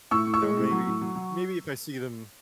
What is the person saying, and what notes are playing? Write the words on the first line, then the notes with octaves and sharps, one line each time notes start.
you know, maybe maybe if I see them
A2 C#6 E6
A2
C#6 E6
G#3
A2
F#3
A2
F#3
F#3